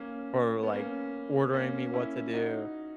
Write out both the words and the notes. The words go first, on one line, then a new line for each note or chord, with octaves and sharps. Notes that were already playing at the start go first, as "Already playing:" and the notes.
or, like, ordering me what to do,
Already playing: A#3 C#4
B3
A#3 C#4
A#3 C#4
C#4 E4
D#4 F#4